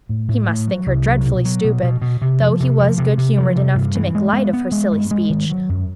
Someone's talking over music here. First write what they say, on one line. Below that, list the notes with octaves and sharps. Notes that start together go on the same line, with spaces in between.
He must think her dreadfully stupid, though he was good-humored enough to make light of her silly speech.
A2
A2
A2
F#3
C2
F#3
B2
F#3
B2
B2
B2
C3
F3
C3
F3
C3
C3
F3
C3
G2
E3
G#3
B3
B3
G#3
G2
G#3
D#3
F#3
F#2